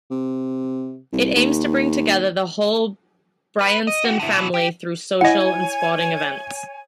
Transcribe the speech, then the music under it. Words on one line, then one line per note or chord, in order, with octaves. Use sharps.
It aims to bring together the whole Bryanston family through social and sporting events.
C3
C2
D#2
B4
D#5
F#4 G4
D3 E4
B2 E3
G4
E4 C#5 D#5 F#5 G#5